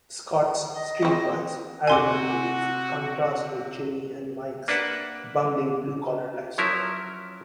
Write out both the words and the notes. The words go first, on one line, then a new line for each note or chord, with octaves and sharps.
Scott's streetwise, arrogant ways contrast with Jimmy and Mike's bumbling blue-collar lifestyle.
D#5
C#3 C4
C3 F#4 G#5 C6 D6 E6
A#3 D4 B4 D5 E5 F#5
F3 F#3 C#4 E4 A#4